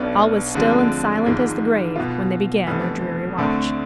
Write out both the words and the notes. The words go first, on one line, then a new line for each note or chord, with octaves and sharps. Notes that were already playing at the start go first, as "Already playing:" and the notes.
All was still and silent as the grave when they began their dreary watch.
Already playing: B1 B2 B3 D4
D2 D3 F3 G#3 C4
G#1 G#2 F3 G#3
B2 B3 F4
F1 F2 E3 B3
D2 D3 A3 C4